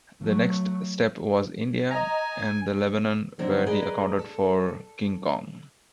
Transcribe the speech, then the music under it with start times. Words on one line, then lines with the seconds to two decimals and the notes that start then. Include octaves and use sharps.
The next step was India, and then Lebanon where he accounted for King Kong.
0.22 F#3 A3
1.91 D#5 G#5 A#5
3.39 D3 F#3 C4 D#4
3.66 G#4 A#4 B4 D5 D#5
4.19 A4